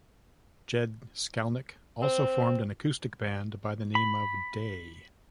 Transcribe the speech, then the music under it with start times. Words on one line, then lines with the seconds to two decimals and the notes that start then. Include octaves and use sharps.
Jed Skalnik also formed an acoustic band by the name of "Day".
2.02 C4
3.95 B5